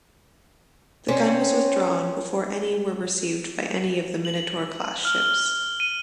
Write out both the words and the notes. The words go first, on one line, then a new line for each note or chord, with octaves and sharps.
The gun was withdrawn before any were received by any of the "Minotaur"-class ships.
C4 C#4
F#7
F6
D#7